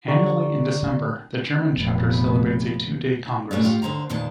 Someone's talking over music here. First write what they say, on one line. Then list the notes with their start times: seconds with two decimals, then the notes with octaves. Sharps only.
Annually in December the German chapter celebrates a two-day congress.
0.08 D3 G4 D5 A#5 C#6
1.72 F1 F2 A#2 F#3 B3
3.51 A#2 E3 A3 C#4 D4
3.64 A2 F4 G4
3.82 D#2 G#2 D3 C5 A#5
4.10 E2 A#2 D#3 G#3 A5